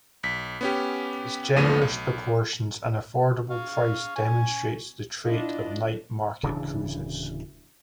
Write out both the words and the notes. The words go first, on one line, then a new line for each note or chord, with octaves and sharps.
Its generous proportions and affordable price demonstrates the trait of night market cuisines.
B1 B6
B3 C#4 G4
G#1 D#2 F3 A3 B3 D#7
B1
F5 C#6
G#5 C#6
D4 E4 F4 D#5
D1 C#3 E3 D4